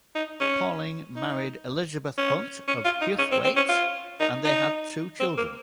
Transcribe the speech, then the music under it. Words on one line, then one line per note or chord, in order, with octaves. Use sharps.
Paling married Elizabeth Hunt of Huthwaite, and they had two children.
D#4
C#4
D#4
C#4
C#4
F4
D#4
C#4
C4
C4
C#4
F4
D#4
D#4
C4
A#3